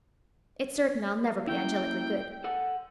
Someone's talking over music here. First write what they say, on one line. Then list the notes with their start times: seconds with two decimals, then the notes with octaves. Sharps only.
It's certain I'll never be angelically good.
1.47 A#3 C#4 E4 G5
2.44 A4 F#5